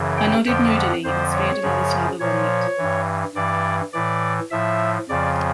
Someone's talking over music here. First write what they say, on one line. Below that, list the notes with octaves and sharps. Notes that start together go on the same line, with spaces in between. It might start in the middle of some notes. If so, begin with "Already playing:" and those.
I nodded moodily and speared another slab of omelette.
Already playing: F#2 C#3 E3
G5
F2 D3 F3 G5
F#5
F2 D3 F3 C5
C#5
F#2 C#3 F3
A#2 F3 C#5
G2 E3
G2 E3 D5
A2 E3 D5
A2 F3 E5
F2 C#3 F3 D5